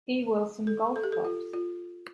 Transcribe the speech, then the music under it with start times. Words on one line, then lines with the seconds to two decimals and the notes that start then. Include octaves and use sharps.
E. Wilson golf clubs.
0.67 A4
0.96 A4
1.04 G4
1.12 A4
1.25 F4
1.54 F4